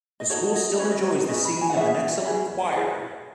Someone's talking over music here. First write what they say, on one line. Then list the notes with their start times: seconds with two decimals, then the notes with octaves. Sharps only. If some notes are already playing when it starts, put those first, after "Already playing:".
The school still enjoys the singing of an excellent choir.
0.20 D#5
0.30 D#4 F#4 A4 C#5
0.55 D#5
0.79 C#4 G#4 B4 C#5
0.91 D#5
1.03 C#5
1.28 C#4 G#4 B4 D#5
1.45 B5
1.61 G#5
1.70 F#5
1.77 C#4 G#4 B4 E5
2.26 C#4 E4 G#4 B4
2.76 E4 G#4 B4